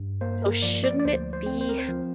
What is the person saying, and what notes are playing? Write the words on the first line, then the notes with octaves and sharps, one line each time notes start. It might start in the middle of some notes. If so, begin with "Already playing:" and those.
So shouldn't it be
Already playing: G2
A#3 C5
A#4
F3 D5
D5
D5
D2 C5
C5
C4
C5
A#4
C5
F3